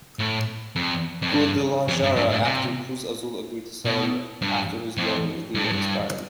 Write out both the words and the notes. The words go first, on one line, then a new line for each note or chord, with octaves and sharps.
Guadalajara after Cruz Azul agreed to sell him after his loan deal expired.
A2
F2
F2
G2
F2
G2
G2
A2
C3
B2
G2
F2
G2
A2
G2